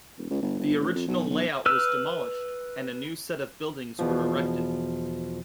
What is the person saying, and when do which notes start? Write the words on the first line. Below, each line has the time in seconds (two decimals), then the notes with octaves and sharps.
The original layout was demolished, and a new set of buildings were erected.
0.18 E1
0.30 C#2
0.42 G1
0.59 G1
0.80 A1
0.95 F2
1.08 B1
1.30 B1
1.66 B4 E6 F6
3.99 E2 B2 F3